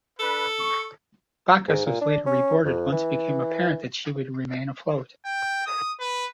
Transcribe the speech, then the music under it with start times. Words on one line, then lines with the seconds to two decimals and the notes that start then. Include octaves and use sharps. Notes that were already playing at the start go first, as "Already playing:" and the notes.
"Bacchus" was later reboarded once it became apparent that she would remain afloat.
0.20 D4 A4 B4
0.59 C#6
1.67 G#2
1.86 A#2
2.01 D4
2.26 C#4
2.65 F2
2.92 E3
5.26 G5
5.67 D#6
6.00 B4